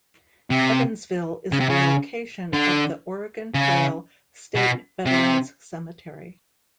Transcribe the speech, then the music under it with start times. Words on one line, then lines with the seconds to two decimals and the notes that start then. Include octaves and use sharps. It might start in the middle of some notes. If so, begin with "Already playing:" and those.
Evansville is the location of the Oregon Trail State Veterans Cemetery.
0.50 C3
1.52 C#3
1.60 C3
1.69 C#3
2.53 D3
3.54 C#3
4.55 B2
5.06 C3